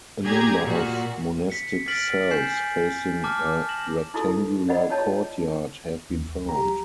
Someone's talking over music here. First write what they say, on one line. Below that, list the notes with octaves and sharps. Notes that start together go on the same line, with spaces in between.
A number of monastic cells facing a rectangular courtyard have been found.
A#2 G4 G#4 A#5 G#6
A#2 F#4
B6 C#7
F6 A6 B6 D7 F#7
G#5 G6 C7 E7
A5 D6 F6
A#6 E7 F#7
D#4 E4 F#4 A4
D5 D#5 F#5 B5
D#4 F4 C#5 A5
D#2
D2
G4 A#5
F#3